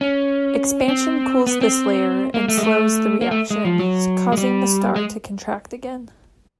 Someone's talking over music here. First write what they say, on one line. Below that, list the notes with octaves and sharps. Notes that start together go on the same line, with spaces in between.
Expansion cools this layer and slows the reaction, causing the star to contract again.
C#4
C4
B3
C4
A#3
A3
G#3
A3
A#3
A3
G#3
F3
F#3
G#3
G3
G#3